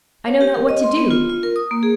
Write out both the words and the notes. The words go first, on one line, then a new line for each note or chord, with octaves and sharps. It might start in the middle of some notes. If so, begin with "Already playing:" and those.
I know not what to do.
C#5
G4
A#4
D#5
C6
B3
F4
F4
A#4
D#6
A#3
G#4